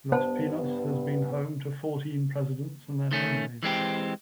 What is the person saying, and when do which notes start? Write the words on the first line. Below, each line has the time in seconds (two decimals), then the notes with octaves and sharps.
Los Pinos has been home to fourteen presidents and their families.
0.12 G2 B3 C5 A5
3.11 D#3 A3 C#4
3.63 E3 G#3 C4 G4